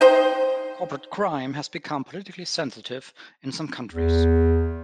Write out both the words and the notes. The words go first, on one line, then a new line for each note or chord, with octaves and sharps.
Corporate crime has become politically sensitive in some countries.
D#4 C5 G5
E2